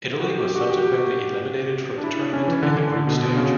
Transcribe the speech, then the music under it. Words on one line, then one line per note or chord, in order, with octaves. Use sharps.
Italy were subsequently eliminated from the tournament in the group stage.
F#4
G4
G4
F#4
G4
G4
D4
E4
C#4
E3
D3
D3
D3
B2
B2
C#3